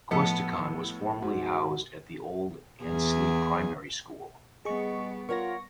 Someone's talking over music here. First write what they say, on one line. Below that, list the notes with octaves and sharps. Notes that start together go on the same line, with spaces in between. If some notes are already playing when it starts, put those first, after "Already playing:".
Questacon was formerly housed at the old Ainslie Primary School.
A2 F3 B3 A4
G#2 F#4
E2 G#4
G3 B3 G#4 D#5 C#6
F4 A#4 C#5 F#5 C#6 A#6